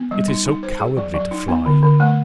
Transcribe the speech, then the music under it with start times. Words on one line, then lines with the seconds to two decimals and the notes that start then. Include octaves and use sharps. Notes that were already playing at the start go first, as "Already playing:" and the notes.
"It is so cowardly to fly!"
Already playing: B3
0.11 G3
0.28 D#4
0.46 D#4
0.63 C5
0.79 G#4
0.97 F#3
1.14 F#3
1.31 D#4
1.48 B3
1.66 D3
1.83 D3
2.00 A3